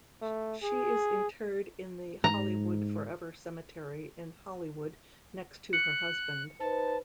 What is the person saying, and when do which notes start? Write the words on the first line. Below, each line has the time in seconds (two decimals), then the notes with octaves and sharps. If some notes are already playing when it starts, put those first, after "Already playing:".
She is interred in the Hollywood Forever Cemetery in Hollywood next to her husband.
0.22 A3
0.63 G#4
2.24 G#2 A#5
5.73 F#6 C#7
6.60 D#4 B4 C5 A5